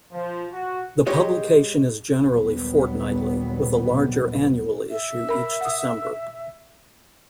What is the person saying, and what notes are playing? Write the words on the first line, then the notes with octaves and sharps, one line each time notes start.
The publication is generally fortnightly, with a larger annual issue each December.
F3
F#4
G#3 G4 C#5 D#5
A#1 D#2 F#3 G3 B3
E5
A#4 B5
F#5 D#6